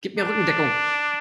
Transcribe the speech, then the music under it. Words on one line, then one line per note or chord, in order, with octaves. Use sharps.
Gib mir Rückendeckung.
D4